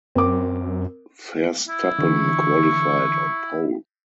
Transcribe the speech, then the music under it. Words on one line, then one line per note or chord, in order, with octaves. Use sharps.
Verstappen qualified on pole.
F#2 C4 A#4 D6
E4
D3 E3 C#6